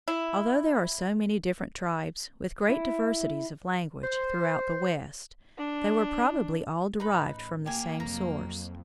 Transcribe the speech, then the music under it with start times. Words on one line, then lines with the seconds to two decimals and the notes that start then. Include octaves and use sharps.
Although there are so many different tribes, with great diversities of language, throughout the West, they were probably all derived from the same source.
0.08 E4
2.69 E4
4.04 C5
5.58 D4
7.00 A1 D#4 B4 B5
7.66 A#3 G4 G#5
8.00 F2 C3 F#3 A#5